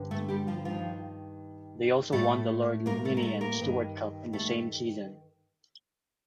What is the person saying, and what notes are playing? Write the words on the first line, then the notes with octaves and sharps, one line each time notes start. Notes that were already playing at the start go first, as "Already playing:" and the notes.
They also won the Lord Ninian Stuart Cup in the same season.
Already playing: G2 D3
A3 A4
G3 G4
F3 F4
G2 D#3 F3 F4
A2 A3 A4
A#3 A#4
A3 A4
A#4
A3 A4
A#3 A#4
G2 D#3
A3 A4